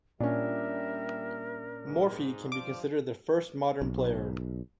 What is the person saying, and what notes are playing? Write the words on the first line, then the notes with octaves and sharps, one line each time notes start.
Morphy can be considered the first modern player.
A#2 G3 C#4 D4 A#4 E5
G#2
G2 F3 D6
B1